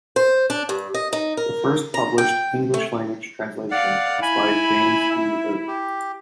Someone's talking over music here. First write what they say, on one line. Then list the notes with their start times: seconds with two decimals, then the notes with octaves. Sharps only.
The first published English-language translation was by James E. Irby.
0.16 C5
0.50 D4
0.69 G2
0.94 D#5
1.13 D#4
1.37 A#4
1.94 A#5
2.18 G5
2.74 A3
3.71 D5 F5 F#5
4.22 E4 G#5 B5
5.10 E5
5.67 G4